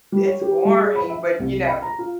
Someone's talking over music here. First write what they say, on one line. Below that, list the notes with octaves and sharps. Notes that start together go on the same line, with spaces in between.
it's boring, but, you know
G3
C#5
G4
G3
G#4
B5
E5
C2
B5
A#5
F4